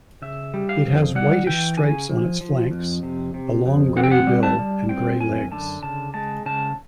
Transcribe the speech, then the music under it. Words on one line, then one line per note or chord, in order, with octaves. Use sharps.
It has whitish stripes on its flanks, a long grey bill and grey legs.
C#3 E5
G3
F5
F2
G3 F#5
E3 G5
C#3 G#5
F3
F3
F2
C3
C3
F2
C4 F#5
G5
F#5
G3
A5
G3
C4 G5
F#2 G#5
D3 A5
C#3 A5
G#3 A5
C#3 A5